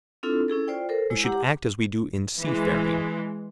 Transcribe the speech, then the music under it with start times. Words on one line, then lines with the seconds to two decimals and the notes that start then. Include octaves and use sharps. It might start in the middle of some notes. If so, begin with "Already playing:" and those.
We should act as we do in seafaring.
0.23 C4 D4 E4 F4 A4
0.48 C#4 E4 G#4 A4
0.68 F4 C5 D5 G5
0.89 A4 A#4 C5
1.10 G#3 E4 C#5 E6
1.23 G4 F#5 A#5 D6
2.40 E3 G#3